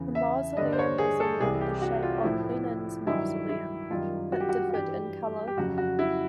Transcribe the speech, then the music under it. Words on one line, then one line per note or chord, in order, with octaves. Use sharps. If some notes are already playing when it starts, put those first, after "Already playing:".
The mausoleum resembled the shape of Lenin's Mausoleum but differed in color.
Already playing: E2 C#3 E3
E5
G2 D3 G3 D#5
C5
C#5
G#4
A4
C2 C3 E3 G#4
G4
F#4
F4
A2 F3 E4
G2 D#3 F#3 E4
E4
F#2 D#3 G3 F4
F#4
G4
F#4
F#4
G2 E3 G3 G4
G4
F2 C#3 F#3 F#4
F#4
E4